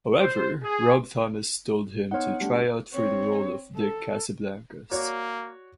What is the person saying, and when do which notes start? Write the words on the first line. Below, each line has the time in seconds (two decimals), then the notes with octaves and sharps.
However, Rob Thomas told him to try out for the role of Dick Casablancas.
0.21 C5
0.64 G#4
2.11 B3 D#4 C#5 F#5
2.40 G3 A3 D4
2.93 C4 C#5
3.76 A4
4.91 A#3 F#4 C#5 D5